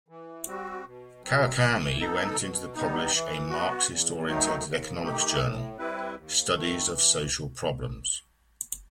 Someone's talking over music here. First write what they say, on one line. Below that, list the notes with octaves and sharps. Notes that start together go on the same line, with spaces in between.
Kawakami went on to publish a Marxist-oriented economics journal, Studies of Social Problems.
E3
G3 C4 F#4
B2
F#3 C4
E3
B3 D#4 A4
B2
G3 B3 D#4
E3
B3 F#4
E2
D#3 F#3 A3 D#4
D#2
D#3 A3 D#4 G4
A2
G3 C4 E4 B4
D#2
D#3 A3
E3